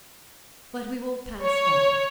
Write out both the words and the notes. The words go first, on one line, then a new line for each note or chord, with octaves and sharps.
But we will pass on.
C#5